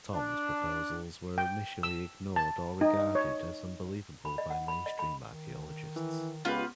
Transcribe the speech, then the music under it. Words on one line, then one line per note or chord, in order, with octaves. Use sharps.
Thom's proposals were initially ignored or regarded as unbelievable by mainstream archaeologists.
D4
G5
E6
A5
D#4
C#5
B5
D#5
F#5
B5
D#5
B5
D#3
E3
C#2 B3 F4 G4 B4